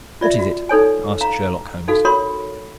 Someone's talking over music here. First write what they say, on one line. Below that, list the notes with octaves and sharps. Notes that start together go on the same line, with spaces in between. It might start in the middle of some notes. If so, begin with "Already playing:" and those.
"What is it?" asked Sherlock Holmes.
F4 D5 E5
F#4
D#4 A4 C#5 G#5
F5 A#5
D#4 F#4 A4 F5
F#4 A#4 C#5 B5 C6